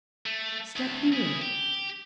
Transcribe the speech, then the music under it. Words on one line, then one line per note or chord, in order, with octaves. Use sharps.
Step here!
A3
D2
E4 G#4
G4